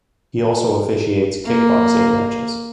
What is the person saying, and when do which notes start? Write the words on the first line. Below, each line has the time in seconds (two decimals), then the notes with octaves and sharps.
He also officiates kickboxing matches.
1.45 A#3